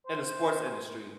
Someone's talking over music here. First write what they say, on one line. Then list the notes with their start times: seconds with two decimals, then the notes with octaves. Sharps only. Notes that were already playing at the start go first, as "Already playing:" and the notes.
in the sports industry.
0.07 C5